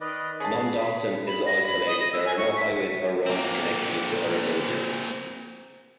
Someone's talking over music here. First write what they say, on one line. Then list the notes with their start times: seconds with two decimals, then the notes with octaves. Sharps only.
Nondalton is isolated: there are no highways or roads connecting it to other villages.
0.01 D#3 B4 D5 D#5
0.40 C#4 G#4 A5 B5
1.27 B5
1.46 A#6
1.67 B5
1.86 D#5
2.01 A#6
2.13 E6
2.26 G#5
2.37 C#6
2.56 B6
3.26 A#3 C4